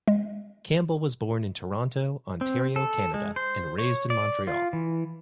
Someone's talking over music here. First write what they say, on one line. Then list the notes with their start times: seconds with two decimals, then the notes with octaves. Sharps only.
Campbell was born in Toronto, Ontario, Canada and raised in Montreal.
0.08 G#3
2.41 C4
2.76 A4
3.14 G#3
3.36 C5
3.78 C#5
4.10 D5
4.47 F4
4.73 E3